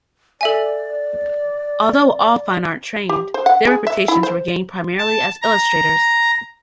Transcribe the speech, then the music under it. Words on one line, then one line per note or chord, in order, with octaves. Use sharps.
Although all fine art trained, their reputations were gained primarily as illustrators.
A4 D5 E5 G#5
G4
C5
F#5
G#4
E5
E4
C5
A5
A#5